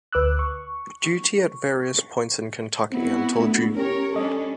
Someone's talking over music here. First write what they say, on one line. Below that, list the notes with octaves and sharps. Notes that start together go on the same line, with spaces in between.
Duty at various points in Kentucky until June.
D2 B4 D6 E6 F#6
C#6
B3 C4 E4 F#4
A3 D4
C#4 G4 A#4 C#5
G3 C#4 D4 A4 D#5